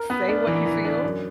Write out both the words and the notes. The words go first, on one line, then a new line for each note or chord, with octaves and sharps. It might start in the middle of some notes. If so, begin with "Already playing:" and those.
say what you feel,
Already playing: A#4
B3
D4
E3
E3
D4
F#2